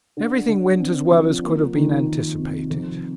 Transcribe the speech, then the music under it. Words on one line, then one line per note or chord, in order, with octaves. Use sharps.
Everything went as well as could have been anticipated.
D3
D3
C4
F3
A#3
D#3
D#3
C3
F2